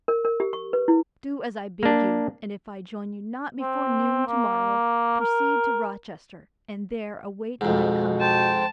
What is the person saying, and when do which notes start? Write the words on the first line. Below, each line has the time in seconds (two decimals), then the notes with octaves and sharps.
"Do as I bid you, and if I join you not before noon to-morrow, proceed to Rochester, and there await my coming."
0.08 A#4
0.25 A#4
0.40 G4
0.53 C#6
0.73 B4
0.88 E4
1.83 A#3 D4
3.59 C4
4.27 A#3
5.20 A#4
7.61 F2 G#2 B2
8.20 C5 G5 A5